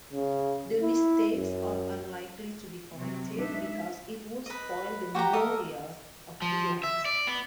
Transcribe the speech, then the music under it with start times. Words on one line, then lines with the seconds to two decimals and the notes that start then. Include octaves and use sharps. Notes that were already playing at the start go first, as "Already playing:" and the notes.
The mistakes are unlikely to be corrected because it would spoil the memorial's appearance.
0.13 C#3
0.82 E4
1.34 F#2
2.95 C3 F#3
3.38 G#3 D4 D#4 E5
4.46 B4 D#5
5.15 F#4 G4 F#5 A#5
5.33 A4 A#4 D#5 D#6
6.42 F3
6.83 E5
7.05 D5
7.27 B3